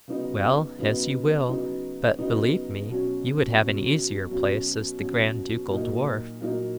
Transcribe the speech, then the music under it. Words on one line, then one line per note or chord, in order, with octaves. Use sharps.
'Well, as you will; but believe me, you would have an easier place as the grand ducal dwarf.'
C#3 F#3 B3 D#4
C#3 F#3 B3 D#4
C#3 F#3 B3 D#4
C#3 F#3 B3 D#4
B2 F#3 C#4
B2 F#3 C#4
B2 F#3 C#4
B2 F#3 C#4
A#2 F#3 A#3 D#4
A#2 F#3 A#3 D#4